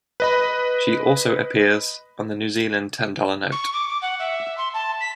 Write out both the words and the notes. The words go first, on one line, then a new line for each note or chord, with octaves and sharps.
She also appears on the New Zealand ten-dollar note.
B4 D#5 B5
C#6
D6
D6
F#5
E5
C6
A5
B6